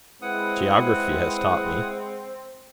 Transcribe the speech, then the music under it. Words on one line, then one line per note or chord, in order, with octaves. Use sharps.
"Geography has taught me."
G#3 C4 E4 B4 F#5 D#6